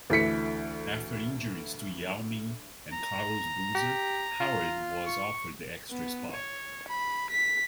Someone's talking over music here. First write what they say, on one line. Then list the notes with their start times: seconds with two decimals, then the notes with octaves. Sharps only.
After injuries to Yao Ming and Carlos Boozer, Howard was offered the extra spot.
0.10 D2 E3 A3 B6 C#7
2.93 A#5
3.75 G4
4.41 F4
5.06 C#6
5.91 B3
6.32 C#5
6.88 B5
7.30 B6